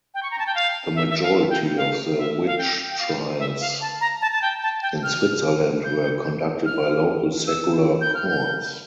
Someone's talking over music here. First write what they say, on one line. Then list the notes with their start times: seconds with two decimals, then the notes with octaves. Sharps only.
The majority of the witch trials in Switzerland were conducted by local secular courts.
0.14 G5
0.23 C#6
0.31 A#5
0.39 A5
0.47 G5
0.55 F5
0.95 E5
1.10 E5
1.23 F5
1.50 G5
1.77 F5
2.18 E5
2.46 F5
2.58 G5
2.91 G5
2.99 F5
3.39 E5
3.61 F5
3.81 A5
4.01 A#5
4.21 A5
4.32 A5
4.42 G5
4.63 A5
4.82 G5
5.03 F6
5.84 G6
6.66 F6
7.47 E6
8.01 G6
8.14 F6
8.28 G6